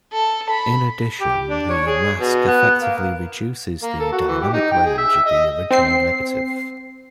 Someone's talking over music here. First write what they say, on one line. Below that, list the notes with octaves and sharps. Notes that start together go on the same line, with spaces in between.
In addition, the mask effectively reduces the dynamic range of the original negative.
A4
B5
G4
D4
C#5
G#4
B2
B3
A#3
A#3
A4
F#4
E3
G4
D#4
G5
G#4
E5
D#5
C4 C7